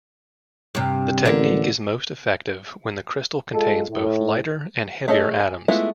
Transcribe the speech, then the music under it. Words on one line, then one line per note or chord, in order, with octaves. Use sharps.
The technique is most effective when the crystal contains both lighter and heavier atoms.
G2 C3
A1 D3 A#3
G#3 F4 A4
A2
A3 G#4 A4 C#5 D#5
G#5
G#3 A3 B3 E4 F4